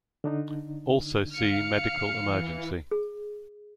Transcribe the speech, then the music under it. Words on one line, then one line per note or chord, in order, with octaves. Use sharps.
Also see medical emergency.
D3 D4 D#4
F5 F6 C#7
E3
G#4